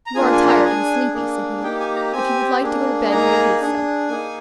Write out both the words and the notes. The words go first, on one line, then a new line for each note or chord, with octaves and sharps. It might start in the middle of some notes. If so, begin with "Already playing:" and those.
"You are tired and sleepy," said he; "if you would like to go to bed you may do so."
A#5
A#3 D4 F4 G#4 G#5
G#5
A#5
D4 G#4 G#5
A#3 D4 G#4
A#3 D#4 G4 G5
G#5
A#5
C4 G4 G#5
A#3 D4 G#4
A#3 D#4 G#4 A#5
D4 G#4
A#3 D#4 G#4 G#5